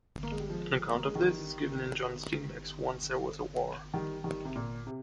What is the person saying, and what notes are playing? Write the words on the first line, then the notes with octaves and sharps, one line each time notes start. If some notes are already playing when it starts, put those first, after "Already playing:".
An account of this is given in John Steinbeck's Once There Was a War.
A#3
G#3
G3
F3 G#3
A#3
G#3
D#3 G3
D#3 G3
D#3 G3
C3
A#2
C3